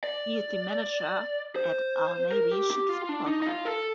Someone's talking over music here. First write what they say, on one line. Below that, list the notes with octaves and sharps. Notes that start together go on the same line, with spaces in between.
He is the manager at Al-Nabi Chit football club.
D5
C5
A#4
G4
G4
F4
D4
D#4
D#4
F4
A4